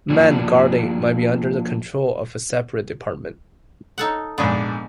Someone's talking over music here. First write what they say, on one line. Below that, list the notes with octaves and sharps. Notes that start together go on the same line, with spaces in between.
Manned guarding may be under the control of a separate department.
F3 A#3 D4 F4 F#4
D#4 A4 F#5
A#1 G#2 B3 D4